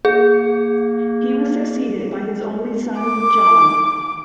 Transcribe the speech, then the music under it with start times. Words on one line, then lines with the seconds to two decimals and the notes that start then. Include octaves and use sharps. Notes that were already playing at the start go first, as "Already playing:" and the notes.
He was succeeded by his only son, John.
0.05 A#3 G#4
2.98 D6